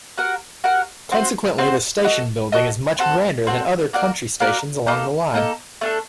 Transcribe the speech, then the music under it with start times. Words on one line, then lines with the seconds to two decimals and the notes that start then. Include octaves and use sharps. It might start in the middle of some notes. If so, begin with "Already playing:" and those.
Consequently, the station building is much grander than other country stations along the line.
0.18 F#4 A#4 F#5
0.64 F#4 A#4 F#5
1.12 C4 F#4 C5
1.58 C4 F#4 C5
2.04 F#4 A4 D#5
2.52 F#4 A4 D#5
2.99 C4 F#4 A4
3.47 C4 F#4 A4
3.93 A#3 F#4 A#4 D5
4.40 A#3 F#4 A#4 D5
4.87 A#3 D#4 A4
5.34 A#3 D#4 A4
5.81 A3 D4 A4